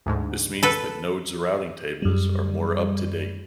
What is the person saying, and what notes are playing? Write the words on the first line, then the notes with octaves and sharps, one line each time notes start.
This means that nodes' routing tables are more up-to-date.
D2 G#2
A4 B4
F#2 G3